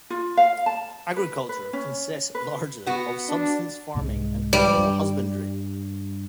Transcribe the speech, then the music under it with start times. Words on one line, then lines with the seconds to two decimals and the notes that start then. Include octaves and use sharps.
Agriculture consists largely of subsistence farming and animal husbandry.
0.10 F4
0.37 F5
0.66 A5
1.16 B4
1.49 B4
1.73 C#4
2.35 B4
2.86 B3 F#4
3.29 D4
3.95 C2 G#2 G#3
4.53 G3
4.77 G2